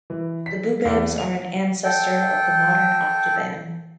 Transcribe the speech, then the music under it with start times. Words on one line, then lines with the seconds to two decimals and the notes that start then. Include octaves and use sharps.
The boobams are an ancestor of the modern octoban.
0.10 E3
0.46 B6
0.85 E2
1.18 F7
1.84 A4 G5